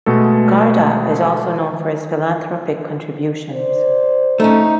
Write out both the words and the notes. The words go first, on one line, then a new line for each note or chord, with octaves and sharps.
Gharda is also known for his philanthropic contributions.
B2 G#3 A3 A4
C5 D5
A3 C#4 D#4